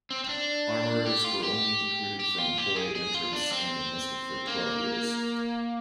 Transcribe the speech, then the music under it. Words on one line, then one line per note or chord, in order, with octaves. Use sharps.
Armourers were only recruited from boy entrants and enlisted for twelve years.
C4
C4
D4
G4
F4
G4
G4
F4
G4
G#4
G#4
F4
D4
C4
A#3